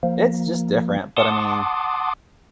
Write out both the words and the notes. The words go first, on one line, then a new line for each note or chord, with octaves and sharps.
it's just different, but, I mean,
F3 A#3
F#5 A5 C6 D6 D#6